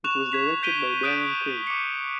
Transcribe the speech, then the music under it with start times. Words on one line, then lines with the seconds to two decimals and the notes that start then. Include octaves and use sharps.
It was directed by Darren Craig.
0.04 C#6 F#6 E7 F7
0.32 G#6 B6 F7
0.63 G6 B6 D7 D#7 G7
1.03 D#6 F#6 G6 D7 E7
1.67 D6 C#7